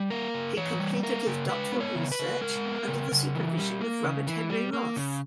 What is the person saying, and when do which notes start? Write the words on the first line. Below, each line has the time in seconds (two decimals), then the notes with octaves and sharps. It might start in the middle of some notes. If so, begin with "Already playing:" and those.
He completed his doctoral research under the supervision of Robert Henry Roth.
Already playing: G3
0.10 A#3 A#4
0.34 C#3
0.57 E3 C#5
0.80 G3
1.03 A#3 A#4
1.27 C#3
1.49 G#3 B4
1.72 B3
1.80 C#5
1.95 C#3
2.12 B4
2.19 C#3
2.41 G#3 A#4
2.65 B3
2.88 C#3
3.12 C#3
3.35 E3
3.57 G3
3.81 A#3
4.04 C#3
4.27 E3
4.50 G3
4.73 A#3
4.96 C#3